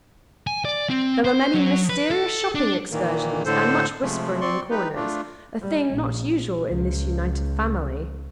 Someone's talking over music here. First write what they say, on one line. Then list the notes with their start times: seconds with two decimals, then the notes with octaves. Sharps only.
There were many mysterious shopping excursions, and much whispering in corners,--a thing not usual in this united family.
0.47 G#5
0.65 D5
0.90 C4
1.25 C5
1.54 F#3
1.89 B4
2.11 A4
2.55 D4
2.92 A#2 D#3 E3 A#3
3.46 A2 D3 A4 C5
4.02 C3 F3 G#3 A3
4.41 C4 D5 C6 C#6
4.70 D#4 G4 B4
4.95 A3 D4 F4
5.61 G3
5.93 A#1
6.68 C#2